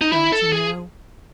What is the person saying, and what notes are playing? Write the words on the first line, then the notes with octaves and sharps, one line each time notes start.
Don't you know?'
D#4
E4
A4
G#4